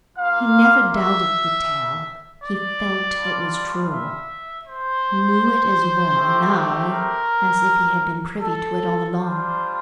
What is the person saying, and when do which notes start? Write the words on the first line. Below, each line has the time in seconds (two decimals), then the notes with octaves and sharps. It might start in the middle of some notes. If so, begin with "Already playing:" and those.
He never doubted the tale; he felt it was true; knew it as well, now, as if he had been privy to it all along.
0.16 A#3 F4 F5
0.91 E5
2.41 D5
3.16 G3 D4 F4
3.91 E5
4.66 C5
6.15 A3 C4 G4
6.90 A#4
8.40 A4
9.15 G3 D4 F4 C5